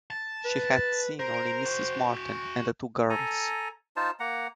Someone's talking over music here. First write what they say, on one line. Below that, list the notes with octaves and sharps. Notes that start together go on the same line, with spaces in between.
She had seen only Mrs Martin and the two girls.
A5
B4
A#4 C5
F#4 G5
A4 G#5 A#5
D#4 F4 C5 A5
A#3 F#5 A#5